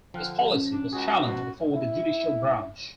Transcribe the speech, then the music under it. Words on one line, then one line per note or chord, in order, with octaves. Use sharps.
This policy was challenged before the Judicial branch.
D3 F3 G5 F6 F#6
G4 A4 B4
C#4
D4
C#2 F#4 G#4
B2 F3
E4